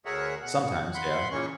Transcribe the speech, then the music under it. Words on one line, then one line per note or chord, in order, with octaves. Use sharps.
Sometimes, yeah.
D2 G#4 A#4 C#5 E5 F#5
B2 F#5
F#5 B5 C6
A#2 C#3 E3 A#3 C#4 C#6